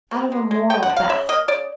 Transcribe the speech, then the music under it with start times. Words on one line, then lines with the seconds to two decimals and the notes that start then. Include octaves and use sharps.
Out of a moral bath.
0.11 C3
0.32 G#3
0.51 G#3
0.70 B3 G5
0.83 F#5
0.90 D3
0.97 F5
1.09 C#3 E5
1.29 A#3 D#5
1.48 C#3 D5